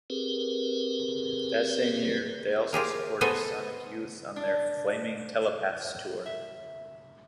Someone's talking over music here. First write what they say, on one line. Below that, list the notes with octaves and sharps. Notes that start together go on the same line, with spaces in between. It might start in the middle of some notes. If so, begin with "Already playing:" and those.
That same year, they also supported Sonic Youth on their "Flaming Telepaths Tour".
C4 G4 G#4 A#4 B4
F4 G4 G#4 A#4
A3 B3 A4 C5 D#5 G#5
D4
E5